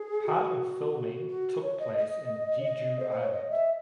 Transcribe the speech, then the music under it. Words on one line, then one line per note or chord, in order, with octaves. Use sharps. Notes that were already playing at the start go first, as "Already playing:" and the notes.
Part of filming took place in Jeju Island.
Already playing: G#4
F#4
F#4
C#5
D#5
D#5
C#5
D#5
C5
C5
C#5
D#5
E5